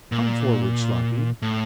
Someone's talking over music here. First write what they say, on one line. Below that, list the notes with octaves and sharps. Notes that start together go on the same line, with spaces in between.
'Come forward, Sloppy.
A#2
A2